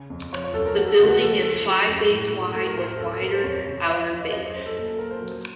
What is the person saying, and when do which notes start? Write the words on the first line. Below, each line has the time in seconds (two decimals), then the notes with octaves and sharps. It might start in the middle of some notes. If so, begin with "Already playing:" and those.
The building is five bays wide with wider outer bays.
Already playing: C#3
0.10 F2
0.32 F3 C#5
0.44 C#5
0.54 F#2 A4
0.65 A#4
0.76 F#3 F#4
0.88 A4
0.99 C#3 F#4
1.10 F#4
1.21 F3 A4
1.43 F3 A4
1.65 F#3
1.88 F#2
2.10 A2
2.33 A2
2.54 A2 A4
2.66 A#4
2.77 A2 C5
2.88 A#4
2.99 F#2 A4
3.11 A4
3.21 F#3 A#4
3.33 C5
3.44 F2 C#5
3.66 C#3
3.88 F3 F5
4.00 F5
4.10 F3 F5
4.22 D#5
4.32 F#2 D#5
4.44 C5
4.55 F#2 C5
4.66 A4
4.77 A#2 A4
4.88 A4
4.99 A#2 A#4
5.11 C5
5.22 F#3